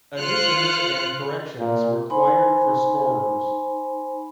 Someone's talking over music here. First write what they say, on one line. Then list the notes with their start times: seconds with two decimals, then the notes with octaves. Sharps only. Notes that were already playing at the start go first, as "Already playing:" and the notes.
Additions and corrections required for scorers.
0.18 F4 C5 F6 F#6 C#7
1.59 A#2
2.10 D#4 C5 G#5 B5 C6